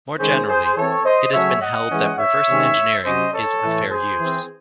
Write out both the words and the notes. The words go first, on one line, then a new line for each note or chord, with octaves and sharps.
More generally, it has been held that reverse engineering is a fair use.
D#3 G#3 C#4 G#4 C5
G#4 C5
E3 C4 A4 C#5
C5 D#5
C#3 F#3 A3 C#4 C#5 E5
D#5 F#5
E3 G#3 C#4
C#5 E5
C3 D#3 G#3 C#4
C3 F#3 C#4 C5 D#5
A4 C#5
A2 E3 A3
G#4 C5
E3 C4